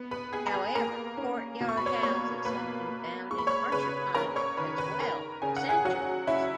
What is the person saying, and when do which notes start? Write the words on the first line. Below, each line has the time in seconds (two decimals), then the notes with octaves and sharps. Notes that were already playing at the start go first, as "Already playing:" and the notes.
However, courtyard houses have been found in harsher climates as well for centuries.
Already playing: B3
0.11 B4 B5
0.33 B3 G#4 G#5
0.47 A#5
0.54 G#4 G#5
0.75 A#3 A#4 A#5
1.17 C#4
1.60 B2
1.69 C#6
1.77 B5
1.86 C#5 C#6
2.02 A#3 C#5 C#6
2.45 A#3 B4 B5
2.87 A#3
3.30 G#3 C#6
3.38 B5
3.47 C#5 C#6
3.72 C#3 B4 B5
4.15 C#4 A#4 A#5
4.36 C#5 C#6
4.57 D#3 B4 B5
4.78 B4 B5
5.00 C#4 A#4 A#5
5.42 C#3 G#5
5.56 F#5
5.69 G#4 G#5
5.85 F#3 F#4 F#5
6.27 C#4 E4 E5